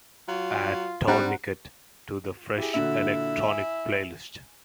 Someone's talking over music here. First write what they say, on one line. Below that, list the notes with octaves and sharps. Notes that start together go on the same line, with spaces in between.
Add Tourniquet to the fresh electronic playlist.
F#3 F4
G3 C4 D4 C5 F#5 A#5
E4 G4 G#4
A#2 D3 E4 F#4
G#5